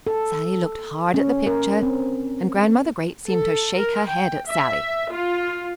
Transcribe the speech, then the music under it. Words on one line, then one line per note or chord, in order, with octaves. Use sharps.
Sallie looked hard at the picture, and Grandmother Great seemed to shake her head at Sallie.
A4
C#4
A#4
C4
A4
A#4
G5
E5
F4